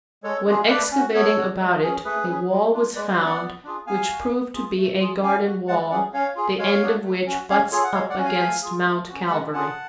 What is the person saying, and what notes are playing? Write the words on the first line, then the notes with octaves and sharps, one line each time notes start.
When excavating about it a wall was found which proved to be a garden wall the end of which butts up against Mount Calvary.
G#3 A4 C#5
D4 F4 G#4
F5
A3 B4 D5
C#4 F#4
B3 A4 C#5
F#4
G#3
C#4 G#4
A3 G#4 B4
C#4 G#4
G#3
D4 F4
G#3 B4 D5
C#5 F5
D4
B3 D5 F#5
B3
D4 F4 G#4
B3 F5 G#5
F#4
B3
F4 G#4
A3
F4 G#4
C#4 F5 G#5
F#4
G#3 F#5 A5
C#4 G#4 D5 F#5
C#4 C#5 F5
F4 G#4
G#3 C#5 F5
B3 D4 F#4
A3
C#4 F#4
C#4 C#5 F5
F4 G#4 A4 C#5
F#5
G#3 C#5 F5
D5 F#5
C#4 F#4
F5 G#5
A3
F4 G#4
A3
C#4 F#4
B5
G#3 F#5 A5
C#4 F4 G#4 F#5 A5